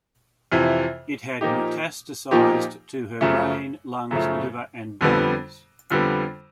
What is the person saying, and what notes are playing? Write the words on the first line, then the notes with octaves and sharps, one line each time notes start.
It had metastasised to her brain, lungs, liver and bones.
F2 C3 E3
A#2 F3 A#3 D#4 G4
A#2 F3 A#3 D#4 G4
F#2 C#3 F3 A3
F#2 C#3 F3 A3
F2 D3 G3 B3
F2 D3 G3 B3